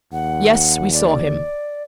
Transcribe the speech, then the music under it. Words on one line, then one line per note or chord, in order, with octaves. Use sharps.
Yes, we saw him.
D#2 F#5
D5